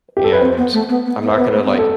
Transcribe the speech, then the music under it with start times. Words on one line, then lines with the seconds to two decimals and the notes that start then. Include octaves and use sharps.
And I'm not gonna, like,
0.17 G4
0.24 A4
0.33 B4
0.41 C4 C5
0.58 B3
0.73 A3
0.89 B3
1.06 B3
1.22 B3
1.29 C5
1.37 B3 B4
1.54 A3
1.64 C4
1.70 B3
1.79 A4